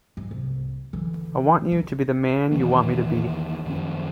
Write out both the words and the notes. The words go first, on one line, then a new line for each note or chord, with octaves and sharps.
I want you to be the man you want me to be.
G#2
C2
D3 E3
D2 D#3
E2 D#3 E3 A#3
F#2 D#3 F3 C#4